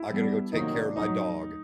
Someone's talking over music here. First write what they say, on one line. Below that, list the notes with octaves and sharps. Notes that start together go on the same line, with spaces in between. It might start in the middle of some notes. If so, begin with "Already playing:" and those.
I gotta go take care of my dog
Already playing: E4
E3 G3 B3 D4
C3 D#3 F#3 A#3 D#4
D4
A2 F#3 A3 D#4